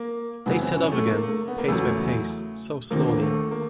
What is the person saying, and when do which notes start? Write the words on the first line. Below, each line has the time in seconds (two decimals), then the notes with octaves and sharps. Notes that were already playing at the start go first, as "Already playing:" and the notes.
They set off again, pace by pace, so slowly.
Already playing: A#3
0.46 F#2 C#3 E3 B3
0.61 C4
0.76 C#4
0.92 A3
1.07 A#3
1.22 A3
1.28 A#3
1.48 B3
1.58 A#3
1.68 E2 C#3 F#3 A3
2.91 D#2 D3 F3 A#3
3.00 B3
3.09 A#3
3.21 A3
3.51 A#3